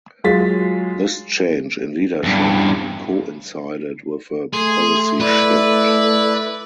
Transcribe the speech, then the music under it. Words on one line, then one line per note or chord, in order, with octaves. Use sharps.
This change in leadership coincided with a policy shift.
F#3 G#3 F4 A6 B6
E2 G2
A3 G#4 C6
E4 B4 D5